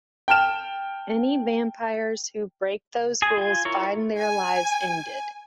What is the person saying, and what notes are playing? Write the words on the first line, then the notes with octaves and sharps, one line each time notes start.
Any vampires who break those rules find their lives ended.
G5 A5 F6 E7
G#4 G#5
F4 G#5
E4 F4 A#4 C#5
G#5